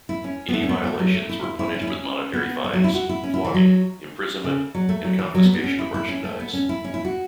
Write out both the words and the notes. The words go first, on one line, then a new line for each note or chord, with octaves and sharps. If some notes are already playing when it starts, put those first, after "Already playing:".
Any violations were punished with monetary fines, flogging, imprisonment and confiscation of merchandise.
E4
C#4
B3
A3
C#4
B3
A3
F#3
A3
E4
E4
E4
C#4
E4
C#4
B3
A3
F#3
E4
F#4
E4
C#4
E4
E3
F#3
C#3
F#3
A3
F#3
E3
F#3
B3
B3
C#4
E4
E4
C#4
A3
B3
C#4
E4
C#4
E4
F#4